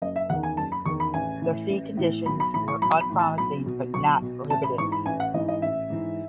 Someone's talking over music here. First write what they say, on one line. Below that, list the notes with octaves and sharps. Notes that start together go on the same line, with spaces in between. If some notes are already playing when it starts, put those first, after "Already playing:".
The sea conditions were "unpromising but not prohibitive".
F#1 D#5
E5
E2 D#3 F#5
G#5
F#1 A5
B5
E2 D#3 C#6
B5
A1 G#5
A2 E3
A1
A2 E3
B1 B5
B5
A2 E3 B5
C#6
B1 B5
B5
A2 E3
A5
B1 B5
B2
B1 C#6
B2
A1 A5
B5
G#2 E3 C#6
B5
A1 G#5
F#5
G#2 E3 D#5
D#5
A1 E5
G#2 E3